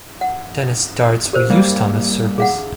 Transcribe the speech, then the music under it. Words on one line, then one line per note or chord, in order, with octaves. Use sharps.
Dennis Darts were used on this service.
F#5
G4 A#4 C5
G3 A#3
G#4 F5 F#5